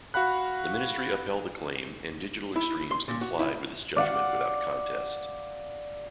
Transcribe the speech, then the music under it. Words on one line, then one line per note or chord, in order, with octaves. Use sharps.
The Ministry upheld the claim and Digital Extremes complied with its judgment without contest.
F#4 F5 F#5 B5 F#6
E4
C6
A#2
F#4
E4
D5 F5 F#5